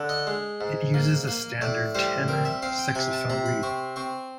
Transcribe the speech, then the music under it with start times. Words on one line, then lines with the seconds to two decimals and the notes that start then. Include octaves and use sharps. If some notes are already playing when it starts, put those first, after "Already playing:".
It uses a standard tenor saxophone reed.
Already playing: D3
0.10 D#5
0.27 G#3
0.61 G#2
0.94 A#3
1.27 A#3
1.61 A2 D5
1.95 G3 C5
2.28 C4 A#4
2.45 E5
2.62 C4 F5
2.78 G5
2.95 C3 G#5
3.13 A5
3.30 C3 A#5
3.46 B5
3.63 C4 C#6
3.96 C4 C#6